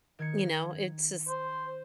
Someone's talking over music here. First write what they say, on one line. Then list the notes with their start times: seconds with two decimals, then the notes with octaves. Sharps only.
you know, it's just
0.19 D#3 G#6 C#7
1.28 C5